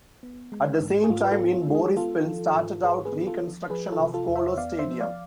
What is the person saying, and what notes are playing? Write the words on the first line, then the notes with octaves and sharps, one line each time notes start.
At the same time in Boryspil started out reconstruction of Kolos Stadium.
B3
G#3
G#2
G#4
G#2 F4
B4
F4 A4
B3
F4
G#3
G#4
B3 F4 A4
F3
G#2
G#2 G#4 B4
G#4 B4
B3
F4 A4
F3
F3 G#4 B4
F4 A4
C3
F4 A4
E2
C5 E5
B3 D5 F5
C5 E5
F3
D5 F5